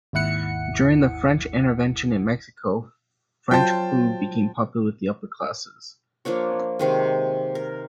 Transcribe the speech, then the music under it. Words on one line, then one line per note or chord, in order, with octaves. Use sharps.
During the French intervention in Mexico, French food became popular with the upper classes.
G#1 D#2 E4 F#5 C#7
F#3 F4 C5 G5 A5
F3 A#3 D4 C#5
C3 D#3 G#3
A#4